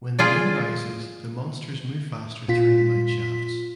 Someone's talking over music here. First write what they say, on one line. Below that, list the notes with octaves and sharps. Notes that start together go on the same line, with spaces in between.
When the moon rises the monsters move faster through the mine shafts.
F4 G#4 D5
A#2 F4 B6